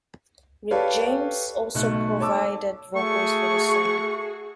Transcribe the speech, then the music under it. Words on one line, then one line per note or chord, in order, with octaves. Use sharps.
Rick James also provided vocals for the song.
G4 A4 B4 C#5 D5 F5
B1 B2 A3 F#6
C#5 A5 D6 E6
A3 F#4 G#4 C#6